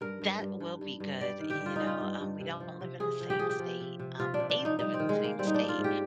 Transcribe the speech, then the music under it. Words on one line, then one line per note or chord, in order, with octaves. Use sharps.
That will be good, you know, um, we don't live in the same state, um, they live in the same state,
G2 A#4
G2
G2
G2
G2
G2
G3 D5
D#3
G4
G2
F4
G3 D#4
F4
G2
G2
C3
F3
C3
C3 G#4
F3
G4
F3 G#4
G4
F3
C3
C3
C3 F4
D4
C3
D4
F3
D#4
G3 D#4
C4
D#3
G#3
D#3 A#3
G3 C4
D#4
D4
G#2
F4
G#2
G4